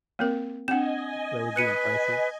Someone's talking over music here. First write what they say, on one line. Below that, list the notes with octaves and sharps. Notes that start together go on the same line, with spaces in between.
That would be impressive.
A#3 C4 A#4
C4 D4 D#5 F#5 G#5 E7
B4 F#6 C#7 D#7